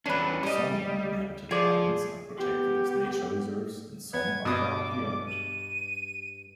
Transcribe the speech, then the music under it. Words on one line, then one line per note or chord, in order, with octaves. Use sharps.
Some uninhabited islands are protected as nature reserves and some are privately owned.
E2 C#4 D4 B4
G3 D#5 D#6
F3 G#4 D5
B3 G4
B3 G#6
G2 B2 D6 D#6
D#7